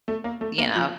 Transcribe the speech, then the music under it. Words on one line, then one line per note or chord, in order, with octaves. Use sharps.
you know,
A3
A#3
A3
A#3
F3